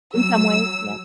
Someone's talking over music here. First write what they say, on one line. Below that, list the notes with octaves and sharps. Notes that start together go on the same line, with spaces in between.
In some ways, yeah.
F#3 E6